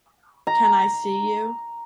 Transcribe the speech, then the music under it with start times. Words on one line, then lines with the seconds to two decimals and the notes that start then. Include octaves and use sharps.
Can I see you?
0.47 A#5